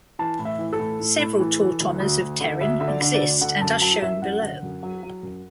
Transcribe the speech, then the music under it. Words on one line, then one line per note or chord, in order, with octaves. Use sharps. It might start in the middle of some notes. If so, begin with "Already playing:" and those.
Several tautomers of pterin exist and are shown below.
E3 A5
A2
E5
E3
A4
A2
A2
A2
E3
E3
D2
D2
D2
D3
D2 E5
D3 E5
D5
D3
D5
D2
D3 F#5
F#2 A5
F#3 A5
F#2 E5
F#2 F#5
D3
F#2
F#3
F#3
F#2